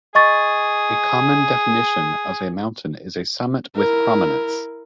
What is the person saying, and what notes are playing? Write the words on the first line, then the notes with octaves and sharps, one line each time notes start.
A common definition of a mountain is a summit with prominence.
G#4 D#5 C#6 A6
E4 A#4